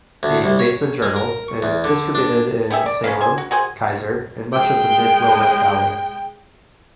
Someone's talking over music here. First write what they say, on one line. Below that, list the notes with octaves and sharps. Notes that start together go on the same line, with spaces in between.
The "Statesman Journal" is distributed in Salem, Keizer, and much of the mid-Willamette Valley.
D2
C2
C#5
G#3
A#4
C#6
E2
D3
D4
B3 G4 G#4 E5
D5
C#4 B4 F5
C5 G#5
F#4
F#4 G#4 C5 G#5
G#3 G5